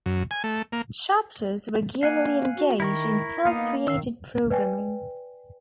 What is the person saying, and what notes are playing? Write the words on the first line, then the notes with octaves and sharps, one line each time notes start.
Chapters regularly engage in self-created programing.
F#2
G#5
A3
A#3
A#3 F5 F#5 G#5
F#4
D#3 E4 A#4 C#6
A#3 B3 D#4 F5
D#3 F5 E6
B4 D5 G5 G#5